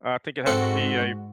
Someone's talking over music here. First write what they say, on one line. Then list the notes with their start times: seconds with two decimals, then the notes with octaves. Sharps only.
I think it has to be a
0.46 G#2 C4 F#4 A4 F#5